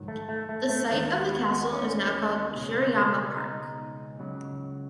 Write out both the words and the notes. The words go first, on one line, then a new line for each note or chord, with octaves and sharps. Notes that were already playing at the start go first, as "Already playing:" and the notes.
The site of the castle is now called Shiroyama Park.
Already playing: G#2 D#3 F#3
A3
A3
A3
A3
D#2 D#3 G#3 A3
B3
B3
B3
C#4
C#2 B2 G#3
D#4
C#2 C#3 F#3